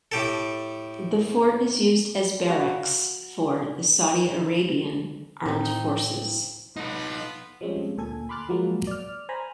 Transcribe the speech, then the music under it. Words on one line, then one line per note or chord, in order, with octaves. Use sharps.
The fort is used as barracks for the Saudi Arabian Armed Forces.
A2 G4 A4
F#4 F5
A2 C4 D#4 E4
B3 D#4 F4 A4 B4
F3 G3 G#3 C4 C#4
D2 A#2 A4 G#5 G#6
B5 C6 D6 F6 F#6 A6
F3 F#3 G#3 A#3
D5 F6
C5 G#5 A#5 B5